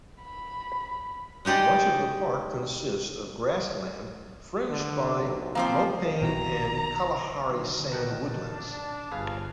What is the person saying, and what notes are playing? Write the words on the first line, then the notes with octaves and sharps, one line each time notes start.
Much of the park consists of grassland, fringed by mopane and Kalahari sand woodlands.
B5
G#3 D#4 G4 D5 D#5
D3
B1
F3 A#3 C4 C5
A#1 B2 D#3 A#5
B1 D3 D#3
A#2 D#3 A#4 F#5 G5 A5
D4
G1 G#4 B4 F5